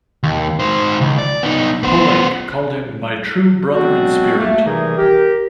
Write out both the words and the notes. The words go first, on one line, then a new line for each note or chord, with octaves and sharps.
Poulenc called him "my true brother in spirit".
D#2
D#3 C5
C#2
D5
B3 D#4
B3 C5
F#3 G#3 B3 C4 D4 F#4
A3 A#3
C3 D#3 E3 G3 D#4 G#4
G4 A#4